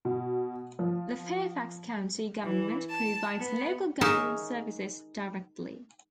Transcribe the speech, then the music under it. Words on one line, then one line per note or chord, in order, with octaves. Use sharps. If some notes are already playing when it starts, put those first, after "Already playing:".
The Fairfax County Government provides local government services directly.
B2
F3
E3
A5
B3
D#4 G#4 A#4 C#5 E5 A#5